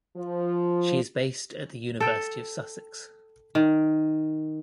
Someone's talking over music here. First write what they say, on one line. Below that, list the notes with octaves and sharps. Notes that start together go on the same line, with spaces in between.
She is based at the University of Sussex.
F3
A4 G5
D#3